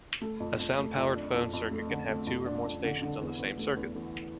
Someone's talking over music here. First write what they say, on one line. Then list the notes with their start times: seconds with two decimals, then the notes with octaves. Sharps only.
A sound-powered phone circuit can have two or more stations on the same circuit.
0.22 A3
0.40 F2
0.59 F2
0.78 A3
0.97 F2
1.15 D4
1.34 F2
1.53 F2
1.71 A3
1.89 D3
2.09 A3
2.27 F2
2.45 D4
2.65 F2
2.84 D3
3.02 D3
3.21 E2
3.39 E2
3.58 A3
3.76 E2
3.95 E3